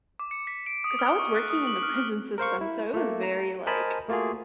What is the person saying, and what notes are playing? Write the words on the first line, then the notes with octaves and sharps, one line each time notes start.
'cause I was working in the prison system, so it was very, like,
D6
C#7
B6
D7
D#6
F6
C#6
F#6
D#6
F#7
F6
F6
A#4 C5 F5 C#6
E4
A3 A#3
A#5
A#4 C5 D#5 G#5 A5 B5
A3 A#3 F4 F#4 G#4